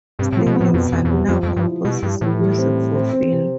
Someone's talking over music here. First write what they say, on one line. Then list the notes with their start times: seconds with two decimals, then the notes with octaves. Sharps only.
Stevenson now composes music for film.
0.19 G2 C3
0.33 A2 F3
0.46 B2
0.56 A2 B3
0.74 F2 B2
0.92 F2 C4
1.05 F2
1.11 E2 G3
1.29 F2 F3
1.43 F2 F3
1.57 G2
1.67 E4
1.85 B2 G3
2.03 G2 G3
2.21 A2 E3
2.40 G3
2.58 C4
2.76 C4
2.95 C4
3.13 C4
3.32 C3